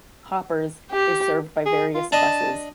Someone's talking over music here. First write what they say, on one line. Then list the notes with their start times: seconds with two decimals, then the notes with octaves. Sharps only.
Hoppers is served by various buses.
0.91 G4
1.66 G#4
1.94 F4
2.12 D4 D#5 A5